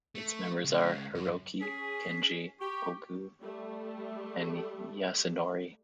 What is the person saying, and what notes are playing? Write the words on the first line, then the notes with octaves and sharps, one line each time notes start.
Its members are Hiroki, Kenji, Ogu and Yasunori.
A3
C#2
F#2
C#4 G#4 B6
G4 C#6
G3 A3